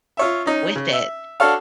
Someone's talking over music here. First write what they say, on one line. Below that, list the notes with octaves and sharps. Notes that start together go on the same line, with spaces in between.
with it.
F4 C#5 E5
C#4 D#4
C#3
E5
D4 F#4 A4 C#5 F5